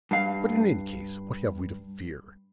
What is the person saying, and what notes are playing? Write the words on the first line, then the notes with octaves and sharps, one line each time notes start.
But in any case what have we to fear?
G2 F5